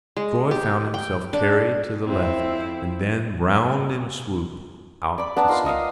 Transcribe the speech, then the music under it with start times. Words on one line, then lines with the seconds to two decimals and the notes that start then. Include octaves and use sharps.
Troy found himself carried to the left and then round in a swoop out to sea.
0.17 G#3
0.51 G4
0.94 G5
1.33 D4
2.05 F2 C4 E4
5.18 D5 B5
5.36 B3 D4 A5 A#5
5.48 D#4 F4 A#4 C5
5.66 D#5 F5